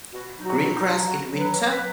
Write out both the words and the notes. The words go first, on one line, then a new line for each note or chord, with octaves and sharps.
Green grass in winter?
B2 F#4
F#3 D#4
F#4
B2
D#4
F#3
B2 F#4
F#3
B4
B2
B4
F#3